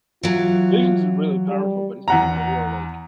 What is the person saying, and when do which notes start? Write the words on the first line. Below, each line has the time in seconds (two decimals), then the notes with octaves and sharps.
Vision's really powerful, but he's not even a real, like,
0.23 E3 F#3 F4
1.48 G3
2.08 E2 F#5 A#5